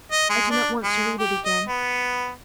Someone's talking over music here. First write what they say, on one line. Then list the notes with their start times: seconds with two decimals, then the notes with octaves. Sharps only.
I do not want to read it again.
0.12 D#5
0.30 G#3
0.50 D4
0.84 G#3
1.19 G4
1.45 D#5
1.67 B3